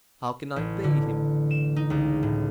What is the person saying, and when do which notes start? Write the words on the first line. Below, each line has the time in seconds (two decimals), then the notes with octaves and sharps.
How can I pay him?
0.56 A1
0.84 D3
1.51 E7
1.76 D#4
1.90 C#2
2.23 A2